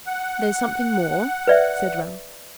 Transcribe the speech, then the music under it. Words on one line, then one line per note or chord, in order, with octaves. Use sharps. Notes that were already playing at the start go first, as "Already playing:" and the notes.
'There's something more,' said Ralph.
F#5
B4 D5 E5